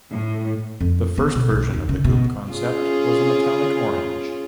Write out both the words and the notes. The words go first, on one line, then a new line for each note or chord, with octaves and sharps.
The first version of the Coupe Concept was a metallic orange.
A2
F2
B3
B2
B1
D#2
C#3
B2
C#4 F4 G#4